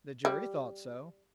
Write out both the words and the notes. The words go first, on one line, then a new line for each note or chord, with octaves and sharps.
"The jury thought so."
G3